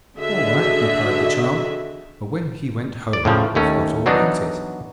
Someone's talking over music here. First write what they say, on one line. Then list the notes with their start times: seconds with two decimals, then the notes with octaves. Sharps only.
'All right,' replied the child, but when he went home forgot all about it.
0.17 D3 D4 F#4 G#4 D#5 E5
3.13 D5
3.25 A2 C#3 F3
3.55 D#2 A3 C#4
4.06 E3 F#3 B3 D4 D#4